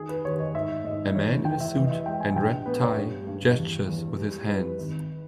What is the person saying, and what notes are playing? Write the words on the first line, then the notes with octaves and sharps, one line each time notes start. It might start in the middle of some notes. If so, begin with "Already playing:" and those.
A man in a suit and red tie gestures with his hands.
Already playing: D#3 G#4
B4
D#2 C#5
D#5
G#2 E5
G#2 D#5
E3 C#5
E3 G5
E5
E3 E5
D#5
E5
G#3 G5
G#5
A#1 G5
B3 B4
C#5
G2
G2
E2
E2
G3
G3 B4
G#1